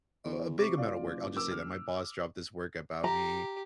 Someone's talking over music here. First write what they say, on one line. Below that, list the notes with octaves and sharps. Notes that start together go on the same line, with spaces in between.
a big amount of work- I'll just say that my boss dropped this work about me
E2
C3 C#6 D6
F#1 F4 D5 F5
A#4 D6 E6
F6
G4 A#5